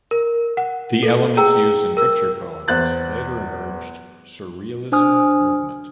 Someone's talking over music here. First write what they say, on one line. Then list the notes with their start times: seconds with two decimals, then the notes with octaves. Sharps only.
The elements used in Picture poems later emerged surrealism movement.
0.11 A#4
0.57 F#5
1.03 A4
1.37 G#4 G5 A#5 E6
1.97 A#4 E6
2.68 E2 C5 F#6 A6
4.92 D4 C5 G#5 D#6 F6